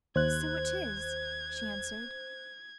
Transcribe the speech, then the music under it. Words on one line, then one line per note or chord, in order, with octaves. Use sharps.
"So it is," she answered.
D#2 C5 F#6 G#6